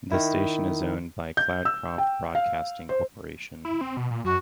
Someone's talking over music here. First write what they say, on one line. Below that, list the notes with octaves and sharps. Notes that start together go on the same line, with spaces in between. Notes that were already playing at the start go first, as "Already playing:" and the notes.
The station is owned by Cloudcroft Broadcasting Corporation.
D#3 E4
G6
E6
G5
F5
C5
E4
C4
B2
A#2
F#2 F#4